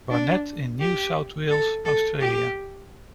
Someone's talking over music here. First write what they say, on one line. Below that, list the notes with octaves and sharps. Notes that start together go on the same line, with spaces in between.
Barnett in New South Wales, Australia.
D4
G4
A4
A4
G4